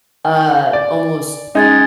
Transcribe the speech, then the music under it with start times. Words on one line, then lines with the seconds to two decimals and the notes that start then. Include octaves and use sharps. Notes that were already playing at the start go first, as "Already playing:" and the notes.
uh, almost,
0.25 G#5
0.73 D5
1.55 G#3 C#4 D#4 G#6 A6